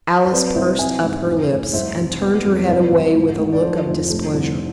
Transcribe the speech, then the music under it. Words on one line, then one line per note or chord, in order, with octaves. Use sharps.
Alice pursed up her lips, and turned her head away with a look of displeasure.
C5
C4 B4 D5
C2 C5 E5
C4 E5 G#5
G#2
F1
F1
C2 C5 E5
C2
B3
F2
C2 B4 D5
C2
G#2
G#2
D5
F3 A4 C5
F1
A3
C2